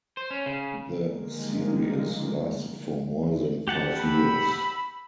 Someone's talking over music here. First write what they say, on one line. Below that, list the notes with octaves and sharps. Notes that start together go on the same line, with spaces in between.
The series lasted for more than five years.
C5
C#4
C#3
D3 D#3 F3 G3 G#3 A#3
G4 F#5 A5
B5 E6